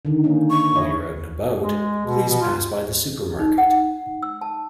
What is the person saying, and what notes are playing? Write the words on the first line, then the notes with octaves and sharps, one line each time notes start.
While you're out and about, please pass by the supermarket.
D3 D#3
A#3 C#4 D#4
C#6
E4 C#5 D#5
G#3
B2
B2
F4
D#4
F#5
E6
A5